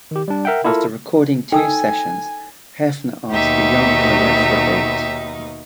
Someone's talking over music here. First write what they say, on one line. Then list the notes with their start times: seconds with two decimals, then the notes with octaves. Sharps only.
After recording two sessions, Hefner asked the young co-ed for a date.
0.11 D#3 G4
0.28 G3 D4
0.45 A#4 E5 F#5 G5
0.64 E4 F4 A4 A#4
1.52 D#4 A4 G5 G#5 D#6 E6
3.31 D#2 B2 D#4 G4 E5